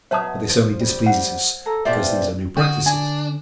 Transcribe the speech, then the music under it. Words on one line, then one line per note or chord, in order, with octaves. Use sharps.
But this only displeases us because these are new practices.
B2 F#3 C#5 E5 A5 D#6
F3
G3
F#5
A4 A#5
E2 B2 C4 F4 D5 E5 G5
D3 F#4 G5 D#6
D4 G#5